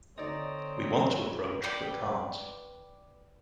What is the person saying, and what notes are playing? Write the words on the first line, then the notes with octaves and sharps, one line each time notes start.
We want to approach but can’t.
D3 C4 D#4 C#5 D5 A#5 D#6
B4 D5 G5